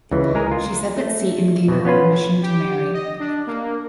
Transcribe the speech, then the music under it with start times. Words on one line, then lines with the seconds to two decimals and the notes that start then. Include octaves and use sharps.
She said that Satan gave her permission to marry.
0.11 C#2 C#3 E3
0.35 G#3 G#4 A#4
0.52 F4
0.97 A3
1.68 B2 E3 C4
1.85 B3 C#4 F4 B4
2.43 G4
2.93 D#5
3.20 D4
3.47 A#3